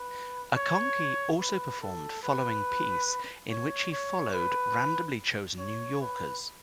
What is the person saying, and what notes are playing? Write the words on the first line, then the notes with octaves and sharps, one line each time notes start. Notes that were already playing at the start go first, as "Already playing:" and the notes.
Acconci also performed "Following Piece", in which he followed randomly chosen New Yorkers.
Already playing: B4
C#5
B4
A4
B4
C#5
C#5
B4
C#5
B4